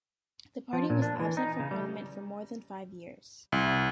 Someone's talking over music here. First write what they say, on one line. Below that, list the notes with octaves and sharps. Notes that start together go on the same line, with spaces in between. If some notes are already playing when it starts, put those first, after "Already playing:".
The party was absent from parliament for more than five years.
F3
A#2
D4
E3
D#4
C#3
G3
C2